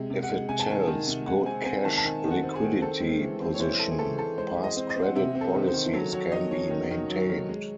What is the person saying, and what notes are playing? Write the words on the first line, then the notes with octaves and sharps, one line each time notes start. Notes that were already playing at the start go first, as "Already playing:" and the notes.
If it tells good cash liquidity position, past credit policies can be maintained.
Already playing: C3 G#3
C3
F#5
G#3
C3 G#5
A5
D#3 G#5
D#3
C3
G#3 F#5
C4 G#5
C4 G#5
D#3 A5
A5
D#3 G#5
D#3
F#5
C4
G#4
D#3
C4 A4
G#3
E3
C4
C#5
E3 C5
E3 A4
G#4
E3 A4
E3 A4
G#3 C5
G#3
D#5
C4
D#5
C4
F#5
C3 E5
C4
A4
D#3
C5
D#3
F#3 A4
F#3 C#5
D#3 D#5
C#4 C#5
D#3
D#3
F#3
D#3
G#3